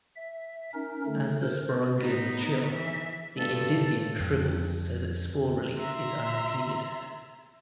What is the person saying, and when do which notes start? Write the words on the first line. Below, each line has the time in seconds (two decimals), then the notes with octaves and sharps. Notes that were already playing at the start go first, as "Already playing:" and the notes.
As the sporongia mature, the indusium shrivels so that spore release is unimpeded.
0.16 E5
0.74 C#4 D#4 A#4
1.06 D3 A3
1.41 A#4 C5
1.98 B3 D#4
2.72 E3 E5
3.38 G2 A4
4.20 F2
5.77 E5 A#5 C6